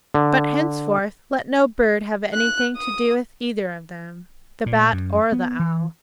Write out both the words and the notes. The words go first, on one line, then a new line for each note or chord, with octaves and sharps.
But henceforth let no bird have anything to do with either of them, the Bat or the Owl.
D3
F#6
D#6
A#2
F#2
B3
E3